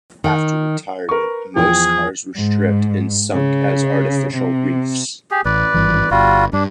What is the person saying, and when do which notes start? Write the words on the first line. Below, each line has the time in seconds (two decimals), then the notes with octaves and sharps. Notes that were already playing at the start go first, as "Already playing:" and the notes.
After retirement, most cars were stripped and sunk as artificial reefs.
0.24 D#3
1.09 A#4 B4 C#6
1.56 E2 F3 G#4 G5
2.35 G#2
3.32 C#3
4.33 C3
5.31 G4 G#4
5.45 A1 B4 D5
5.74 G#1 G2 E3
6.11 G1 G3 F4 F#4
6.53 G2 D4